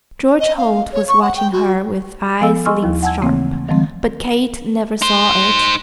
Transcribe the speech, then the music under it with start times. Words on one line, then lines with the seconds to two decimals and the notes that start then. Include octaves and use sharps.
George Holt was watching her with eyes lynx-sharp, but Kate never saw it.
0.40 D#5
0.58 F5
0.93 C#5
1.08 C#6
1.22 F#5
1.37 G5
1.53 F#4
2.41 F3 B3 A4 F5 G#5 E6
2.66 D#5 G#5 C6 C#6 E6 F6
2.83 D#2 F3 E4
3.03 F#5 G#5 A5 E6 G#6
3.22 C#3 E3 A3 A#3 C4
3.68 D#3 F3 F#3 G#3 A3 C4
5.02 D#4 C5